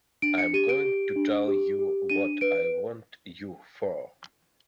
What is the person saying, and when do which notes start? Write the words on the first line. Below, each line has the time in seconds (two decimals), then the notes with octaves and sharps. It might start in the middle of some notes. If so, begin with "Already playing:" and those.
I'm going to tell you what I want you for.
0.22 D4 D7
0.38 C#7
0.53 G4 D#7
0.69 D7
0.85 G4
1.16 D4
1.47 G4
1.79 G4
2.10 D4 D#7
2.41 B4 D7